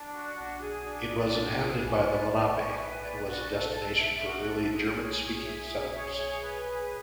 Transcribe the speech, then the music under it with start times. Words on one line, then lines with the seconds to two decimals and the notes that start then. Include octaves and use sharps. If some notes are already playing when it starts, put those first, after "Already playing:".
It was inhabited by the Lenape and was a destination for early German-speaking settlers.
Already playing: D4
0.11 F#4
0.36 D4
0.60 G#4
0.83 D4
1.07 D5
1.32 D4
1.57 G#4
1.80 B4
2.05 D5
2.29 C#6
2.53 G#5
2.78 B4
3.02 D5
3.26 F#4
3.50 A4
3.75 A5
3.99 E5
4.23 F#4
4.47 A4
4.72 G#4
4.95 C#5
5.20 G#4
5.45 E5
5.69 G#4
5.93 C#5
6.17 G#4
6.41 B4
6.65 G#4